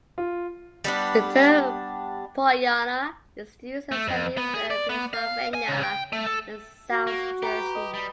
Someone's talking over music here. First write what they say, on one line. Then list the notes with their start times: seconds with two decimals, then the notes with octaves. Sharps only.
The term "Pollyanna" is used in Southeastern Pennsylvania and South Jersey.
0.18 F4
0.84 G3 B3 D4
3.92 A3
4.08 F2
4.37 B3
4.54 G#4
4.70 D5
4.89 B3
5.13 F5
5.54 G#5
5.68 C#3
5.83 G5
6.13 A3
6.26 A4
6.90 F#4
7.07 A#3
7.43 G4 B4 G5 A#5
7.75 D#5
7.94 G3 A5 B5